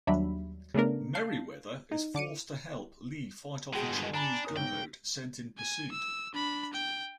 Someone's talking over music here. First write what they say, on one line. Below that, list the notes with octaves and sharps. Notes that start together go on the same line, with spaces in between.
Merryweather is forced to help Lee fight off a Chinese gunboat sent in pursuit.
D#2 F#3 G3 D4 E5 B5
C#3 A3 B3 D4 A#4
F5 A5 G6 C7
D#4
D3 D6 C#7 D#7
B2 G#3 F#4 G#4 G5
G1 G2
D4 G#5 A#5 B5
F#1 A#4 D#6
B1 G#2 G5
G#5
E6
D4 B5
G5